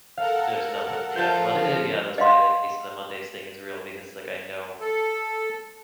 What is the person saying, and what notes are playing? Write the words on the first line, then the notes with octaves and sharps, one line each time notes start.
there's nothing, yeah, Monday yeah, that's why the case of the Monday's thing is real, because, like, I know
A4 A#4 F5 F#5
F3 A5 G6
D#5 F5 F#5 C6
A4